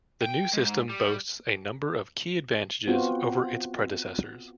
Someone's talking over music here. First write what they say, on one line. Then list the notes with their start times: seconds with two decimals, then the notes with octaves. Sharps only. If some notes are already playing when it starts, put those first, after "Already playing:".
The new system boasts a number of key advantages over its predecessors.
0.22 G5
0.54 G#2
0.90 G3
2.87 B3 C4 F4 F#4